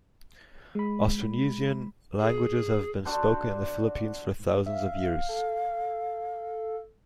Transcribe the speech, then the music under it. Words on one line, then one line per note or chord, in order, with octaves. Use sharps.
Austronesian languages have been spoken in the Philippines for thousands of years.
G#3 B5
G#4
D4 F#4 A4 C5
G#2
E5 F5
A4